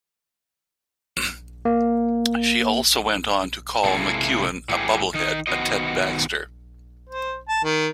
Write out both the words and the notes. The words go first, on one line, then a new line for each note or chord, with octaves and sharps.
She also went on to call McKeown a bubble-head, a Ted Baxter.
A#3
C3 G#3 A#3 E4 A4
A2 E3 F#3 G3 G4 G#4
D#3 D#4
D#3 B3 C4 F#4 C5 D#5
C5
A5
D#3